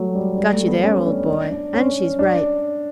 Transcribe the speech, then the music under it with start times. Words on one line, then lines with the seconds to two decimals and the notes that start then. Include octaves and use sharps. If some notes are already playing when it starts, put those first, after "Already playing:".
'Got you there, old boy, and she's right.
Already playing: F#3 G3 A3
0.15 G3
0.37 G3
0.53 A3
0.68 B3
0.83 C#4
1.06 D4
1.28 D4
1.51 D4
1.74 C#4
2.19 D4